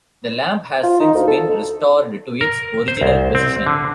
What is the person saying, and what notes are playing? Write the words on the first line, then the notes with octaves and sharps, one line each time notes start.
The lamp has since been restored to its original position.
F4
D#4
D2
A4
A#4
C5
C2
C4
D3